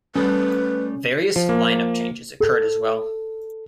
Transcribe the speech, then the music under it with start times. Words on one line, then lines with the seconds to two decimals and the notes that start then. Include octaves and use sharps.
Various line-up changes occurred as well.
0.15 G3 A3 C#4 B4
1.36 F3
1.49 A#3
2.40 A4